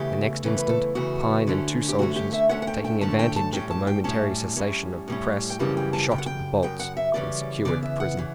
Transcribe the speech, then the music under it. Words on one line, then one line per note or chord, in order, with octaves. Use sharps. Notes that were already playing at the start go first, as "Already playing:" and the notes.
The next instant, Pine and two soldiers, taking advantage of the momentary cessation of the press, shot the bolts, and secured the prison.
Already playing: E2 C#3 E3 A3 G4
E2 C#3 E3 A3 A4
B4
A4
E2 C#3 E3 A3 F#4
D2 D3 A3 C#4
G4
D2 D3 A3 C#4 F#4
G4
E5
D2 D3 A3 C#4 F#5
F#5
G5
G5
D2 D3 A3 C#4 A5
G5
A5
A2 G3 C#4 G5
A5
G5
A2 G3 C#4 A5
A2 G3 C#4
A2 G3 C#4
G5
F#2 C#3 E3 G3 C#4 A5
G5
A5
F#2 C#3 G5
F#5
G5
F#2 C#3 G5
F#5
E5
F#2 C#3 E3 G3 C#4 D5
C#3 E3 B3 D5
E5
F#5
C#3 E3